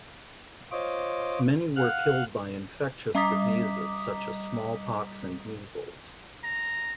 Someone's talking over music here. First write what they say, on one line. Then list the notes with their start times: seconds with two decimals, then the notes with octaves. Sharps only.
Many were killed by infectious diseases such as smallpox and measles.
0.72 F4 C5 C#5 D#5 D6
1.76 F5 F#5 F6 F#6
3.15 G3 D#5 A#5 D6 D#6 B6
6.44 A#5